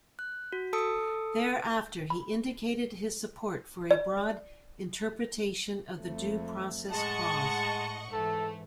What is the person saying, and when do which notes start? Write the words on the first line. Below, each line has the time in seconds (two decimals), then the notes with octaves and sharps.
Thereafter, he indicated his support for a broad interpretation of the due process clause.
0.19 F#6
0.52 F#4
0.73 A4 A5 D#6 E6 C#7
2.10 B5
3.91 D5
5.98 F2 A3
6.91 A2 G#3 D#5 F#5 A5 C#6
8.13 G#2 E3 A3 A4